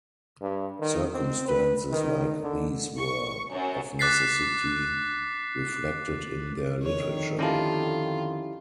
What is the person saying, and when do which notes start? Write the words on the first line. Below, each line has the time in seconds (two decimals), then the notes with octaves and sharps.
Circumstances like these were, of necessity, reflected in their literature.
0.41 G2
0.80 D#3
1.13 C4
1.48 B4
1.91 D#3
2.43 D3
2.98 C#6
3.51 F#2
3.99 D6 F#6 A6 B6 C7
6.83 F2 D3 D#3 C#5
7.39 A#3 C#4 E4 F4 G4 A4